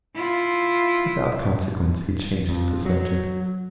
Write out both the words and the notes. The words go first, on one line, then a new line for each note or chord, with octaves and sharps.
Without consequence he changed the subject.
E4 F4
F2
F#3